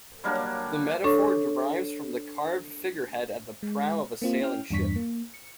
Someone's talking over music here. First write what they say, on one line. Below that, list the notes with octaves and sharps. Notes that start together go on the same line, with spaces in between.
The metaphor derives from the carved figurehead at the prow of a sailing ship.
F#3 G3 A#3 D4
D4 A4 C#5 C#6
G#3
A#3 C4 F4
C#4 E4 G5 F6
E2 G2 D4 C#6 B6
A#3
C#7